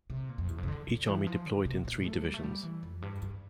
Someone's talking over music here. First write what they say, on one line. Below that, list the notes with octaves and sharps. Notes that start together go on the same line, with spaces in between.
Each army deployed in three divisions.
C3
A#2
F2
E2
F2
C3
D3
D3
E3
F3
D3
C3
A#2
A3
G3
A3
G3
E3
F2
G2
G2